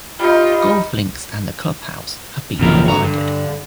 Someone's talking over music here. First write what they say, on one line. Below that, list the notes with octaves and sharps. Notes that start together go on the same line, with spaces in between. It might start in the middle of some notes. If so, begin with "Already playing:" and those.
Golf links and a clubhouse have been provided.
G3 D#4 F4
G#1 F2 A#2 C#3 E3 A#4
D3 F#4 A#5
G2